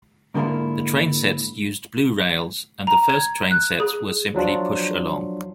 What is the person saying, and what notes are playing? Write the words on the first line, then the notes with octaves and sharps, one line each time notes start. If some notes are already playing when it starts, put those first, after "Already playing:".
The train sets used blue rails, and the first train sets were simply push-along.
G#2 D3 G#3 A#3 E4 F4
A#5
G#6
F#6
G#4
F3 F#3 D4 F4